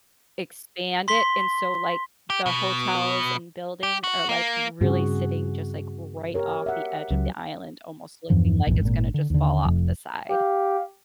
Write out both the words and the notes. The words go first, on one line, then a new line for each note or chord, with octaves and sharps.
expand it, and so, like, the hotels and buildings are, like, really sitting just, like, right off the edge of the island, almost looking like it's gonna just fall off the side.
C6 B6 G7
G4
B2
G4
F#4
A#3
G2 C#3 C4 F#4 G#4
G4 A#4 C#5
E5 F#5
C#2 F#3
E2 G2 E3 F3
A#1 E2 G#2 E3
G#1 A#2
D3
D#2 D3
F1 F2
G4 F5